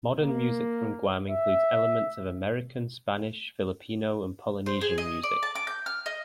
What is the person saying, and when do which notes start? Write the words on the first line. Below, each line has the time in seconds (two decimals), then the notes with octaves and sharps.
Modern music from Guam includes elements of American, Spanish, Filipino and Polynesian music.
0.23 A#3
1.30 E5
4.66 C5
4.81 G#4
4.98 D#5
5.23 D5
5.43 A5
5.55 D6
5.67 G6
5.86 F6
6.06 D#5